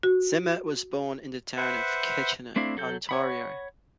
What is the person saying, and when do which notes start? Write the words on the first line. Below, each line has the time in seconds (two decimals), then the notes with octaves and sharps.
Zimmer was born in the town of Kitchener, Ontario.
0.03 F#4
1.57 B4 C5 E5 F#5
2.56 A3 C4 D4 E4 F5
2.77 F#3 A4 G6
3.09 C#5 F#5 B5